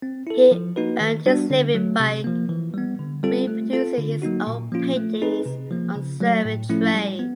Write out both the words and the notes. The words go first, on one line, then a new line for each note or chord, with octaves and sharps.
He earned his living by reproducing his own paintings on serving trays.
C4
E4 A4
F3
A#3 D#4 F#4 B4
D#3
G3 B3 D4 F#4
D3
F#3 A3
C3
F3 A#3
E3
G3 B3
D3
G3 C4 F4 A4
A3
C4 F4 A4
D3
F#3 A#3 D#4 F#4
A#2
F3 A#3 C#4 F4
A3
C4 D#4 G#4 B4
C3
F3 A#3
C#3
F#3 A3
A2
F3 A3 C#4 E4
G3
B3